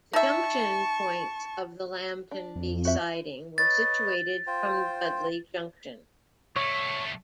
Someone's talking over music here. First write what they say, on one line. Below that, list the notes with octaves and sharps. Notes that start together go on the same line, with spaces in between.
The junction points of the Lambton B siding were situated from Dudley Junction.
D#4 E5 A5 C#6
D4
F2
F#4 C5 E5
B4 C#5 D#5 A6
F4 C5 G5
C2 A3 C#5